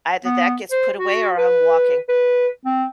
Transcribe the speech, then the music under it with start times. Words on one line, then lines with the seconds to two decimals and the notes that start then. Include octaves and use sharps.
"Either that gets put away or I'm walking."
0.25 B3
0.72 C5
0.99 F#4
1.38 B4
2.09 B4
2.66 C4